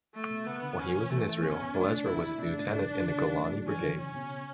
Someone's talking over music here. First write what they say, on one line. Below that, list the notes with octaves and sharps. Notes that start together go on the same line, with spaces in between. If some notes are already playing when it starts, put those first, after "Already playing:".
While he was in Israel, Elezra was a lieutenant in the Golani Brigade.
A3
B2
C#3 B3
D3
D3 C#4
E3
E3 A3
B3 C#4
B3
A3 D4
E4
B2 D4
G#2
G#2
D3
D3
C#3
F#3
A3
F#3
E3 C#4
D3
C#3 C#4
B2